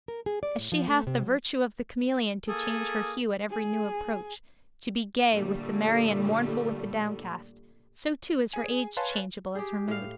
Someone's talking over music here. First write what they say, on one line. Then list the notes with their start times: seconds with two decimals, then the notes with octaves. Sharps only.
As she hath the virtue of the chameleon to change her hue at every new approach, to be gay with the merry and mournful with the downcast, so too is her age changeable as her mood.
0.08 A#4
0.26 G#4
0.43 D5
0.59 A2
0.72 F3
0.88 A3
1.07 C3
1.22 F#3
2.48 A#3 G#4 A4
3.49 G#4
5.34 A#2 D3 G3 A3
8.53 G#4 G#5
8.97 B4 C#5 F5 G#5 A5 C6
9.55 G4 G#4
9.88 A2 F5